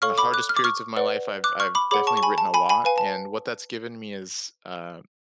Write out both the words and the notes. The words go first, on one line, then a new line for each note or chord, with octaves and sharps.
in the hardest periods of my life, I've I've definitely written a lot. And what that's given me is, uh,
A4 C#5 F5 C#6 F6
B5 D6
D6 F#6
F6
D6
C#6 F6
B4 D5 F#5
D6 F#6
C#6 F6
B5 D6
G#4 C#5 F#5 B5 D6
A5 C#6
C#6
G#5 B5
A5
G#5 B5
G#5 B5
B4 F5 G#5
A5